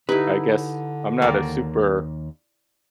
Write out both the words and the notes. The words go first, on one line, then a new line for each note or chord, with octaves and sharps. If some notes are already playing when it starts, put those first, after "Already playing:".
I guess, I'm not a super,
D3 D#4 E4 G4 B4
D#2 A#3 D5 G5